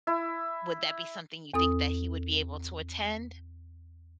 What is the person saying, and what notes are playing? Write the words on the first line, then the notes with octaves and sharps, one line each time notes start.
would that be something you think that he would be able to attend?
E4
E2 C4 A4 D#6